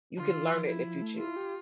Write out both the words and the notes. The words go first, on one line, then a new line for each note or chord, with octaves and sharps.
You can learn it if you choose.
D3 F4
E3
F3
F3 E4
F3
A3
E4 F4
G4